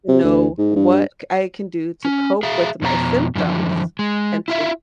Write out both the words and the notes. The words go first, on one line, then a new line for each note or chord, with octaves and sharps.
you know, what c I can do to cope with my symptoms and to
C3
D2
G#2
G2
C#4
G#4 E5 F5
F2 B2 F4 A#5
F#2 A2 D3 E3 F3
G#3
E4 F4 E5